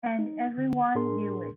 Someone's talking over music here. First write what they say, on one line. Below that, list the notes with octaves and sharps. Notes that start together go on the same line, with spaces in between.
And everyone knew it.
D#4
D3
A2 D4 G#4 A#4 C6